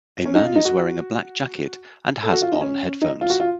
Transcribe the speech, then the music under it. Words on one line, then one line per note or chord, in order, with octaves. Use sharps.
A man is wearing a black jacket and has on headphones.
C#4
D#4
F4
D#4
F#4
A4
F#4
F4
D#4
C#4
D#4
F4
F#4
F4